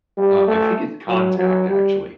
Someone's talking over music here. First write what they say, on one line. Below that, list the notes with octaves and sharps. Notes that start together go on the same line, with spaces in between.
Uh, I think it's Contact actually,
G3
A3
F#3
F#3
G3